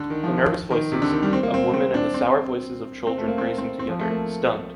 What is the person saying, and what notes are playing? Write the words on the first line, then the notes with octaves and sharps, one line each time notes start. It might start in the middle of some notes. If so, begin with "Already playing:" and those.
The nervous voices, of women and the sour voice of children praising together, stunned.
Already playing: D3
D#3
F3
D#3
D#3
C3
D3
D#3
G3
C4
A#3
C4
C4
D4
C4
C4
A3
A#3
C4
C4
C4
F3
A3
A#3